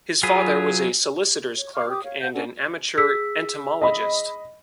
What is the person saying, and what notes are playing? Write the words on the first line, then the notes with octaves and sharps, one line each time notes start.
His father was a solicitor's clerk and an amateur entomologist.
F#3 F4 G#4 B4
C#5
F5 C#6 D6 F6
G4 D6 D#6
C#5 F5
C5 F5 F#5 G6
C#4 D4 A4 F#5
G#4 E6 B6
D#5 B5